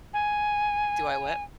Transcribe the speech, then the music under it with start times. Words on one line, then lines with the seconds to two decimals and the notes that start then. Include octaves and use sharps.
Do I what?
0.14 G#5